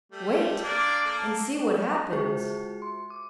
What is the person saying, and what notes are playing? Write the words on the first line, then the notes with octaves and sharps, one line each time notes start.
Wait and see what happens.'
G3 A3
A#3 D4 D5
A#3 A4
G#3 F4 F#4 G#4 C5 E5
C6
D6